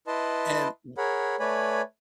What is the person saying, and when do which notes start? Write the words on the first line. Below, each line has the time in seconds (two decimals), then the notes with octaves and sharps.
and wha
0.07 E4 B4 D#5 A5 C6
0.98 G#4 A#4 C#5 F#5 B5
1.40 A3 B4 C#5 D5 G#5 B5